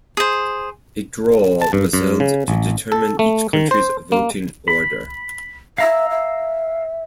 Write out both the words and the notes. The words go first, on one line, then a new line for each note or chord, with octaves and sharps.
A draw was held to determine each country's voting order.
G#4 C5
A5
G2
F#2
C#3
A1
A4
A3
D#3
C5
A#3
B5
E5 F5 A#5 E6
E5